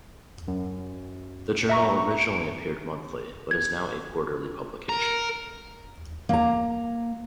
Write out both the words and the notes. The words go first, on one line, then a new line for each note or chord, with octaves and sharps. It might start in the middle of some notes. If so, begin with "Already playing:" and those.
The journal originally appeared monthly but is now a quarterly publication.
F#2
E5 A#5 C#6
G#6
A#4
A#3 A#5